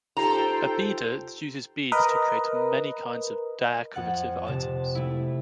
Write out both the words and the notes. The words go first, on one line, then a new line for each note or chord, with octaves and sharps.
A beader uses beads to create many kinds of decorative items.
D#4 F4 G4 A4 C5 G5 A#5
A#4 B4 D#5
F2 F#5 F#6 A6
C3 A5
A3 E4